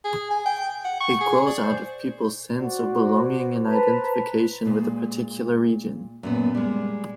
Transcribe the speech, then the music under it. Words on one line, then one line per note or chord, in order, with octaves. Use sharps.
It grows out of people's sense of belonging and identification with a particular region.
G#4
G#5
G5
F#5
C#6
G#4
D5
C5
F#4 C5 D5
B4 C5 A5 A#5
A#2 G#3
F#2 A#2 B3
G3 G#3